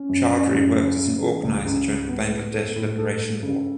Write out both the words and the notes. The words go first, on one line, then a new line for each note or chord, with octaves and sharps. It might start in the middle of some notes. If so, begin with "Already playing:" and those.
Chowdhury worked as an organiser during the Bangladesh Liberation war.
Already playing: C#4
F#2
C#4
F#2
C#3
C#3
E3
C#2
C#3
C#2
B3
A2
A4
A2
A4
A4
C#3